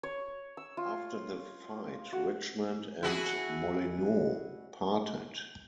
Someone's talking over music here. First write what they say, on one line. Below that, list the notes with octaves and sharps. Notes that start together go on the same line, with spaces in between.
After the fight Richmond and Molineaux parted.
C#5
E6
F4
F#4
E4 F#4 G#4